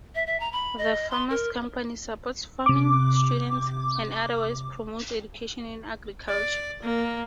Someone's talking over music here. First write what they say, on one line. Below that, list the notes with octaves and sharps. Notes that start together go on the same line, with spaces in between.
The Farmers' Company supports farming students, and otherwise promotes education in agriculture.
E5
E5
A#5
B5
D#5
C6
A#4
C3 D6
D5
A#3